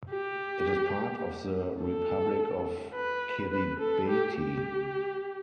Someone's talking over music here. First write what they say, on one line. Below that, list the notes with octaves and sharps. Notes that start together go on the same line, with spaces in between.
It is part of the Republic of Kiribati.
G4
A4
B4
B4
A4
G4
G4